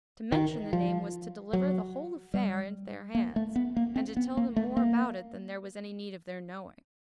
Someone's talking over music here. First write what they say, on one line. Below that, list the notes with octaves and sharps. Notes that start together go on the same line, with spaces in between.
To mention the name was to deliver the whole "affair" into their hands, and to tell them more about it than there was any need of their knowing.
D#3
F3
F#3
G3
A#3
A3
B3
A#3
C4
B3
A#3
A3
A#3